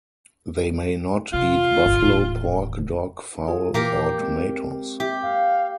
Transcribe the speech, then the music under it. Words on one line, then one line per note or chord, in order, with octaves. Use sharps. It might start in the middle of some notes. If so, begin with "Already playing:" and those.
They may not eat buffalo, pork, dog, fowl, or tomatoes.
C3 F4
G1 D3
D#1 A1
F4 G#4
A#2 E3 A#3 G4 A#4 A#5
G#3 C4
G4 E5
F5